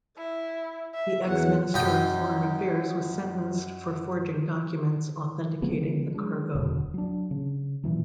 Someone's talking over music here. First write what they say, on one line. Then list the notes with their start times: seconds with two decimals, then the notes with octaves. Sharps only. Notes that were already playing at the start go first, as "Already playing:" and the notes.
The ex-Minister of Foreign Affairs was sentenced for forging documents authenticating the cargo.
0.18 E4
0.94 E5
1.27 E2 F#3 F#5
1.74 F#2 D#4 G5
5.62 C#3 F3 G#3 B3
6.14 F#3 G#3 D4
6.54 D1 E2 B2 D3
6.94 F#3 D4
7.31 C#3
7.84 A#2 C#3 E3 F#3